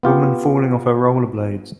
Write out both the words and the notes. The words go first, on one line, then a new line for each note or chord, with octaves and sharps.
Woman falling off her rollerblades.
B3 F4 G4